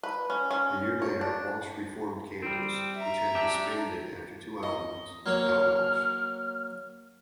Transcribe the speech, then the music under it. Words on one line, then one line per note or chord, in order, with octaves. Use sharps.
A year later, Walsh reformed Kansas, which had disbanded after two albums without Walsh.
B4
C#4
C#4
C#5
D4
G3 C4
E5 A#5
D4 G4
D#5
F#3 A#3 C#5 F6